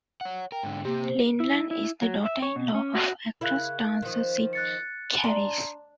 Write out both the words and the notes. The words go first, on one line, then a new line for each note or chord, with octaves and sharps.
Lindeland is the daughter-in-law of actress-dancer Cyd Charisse.
C#5 F#5
A#4 G5
G#2 D3
C3 A#3 C4 G4
C5
E4
E4
F#3
E5
C#5
B2
C#4
F#4
C#3 E4 A#4 F5 F#6
D#3 F3
F#6 A6 C#7
D4 A#5 C6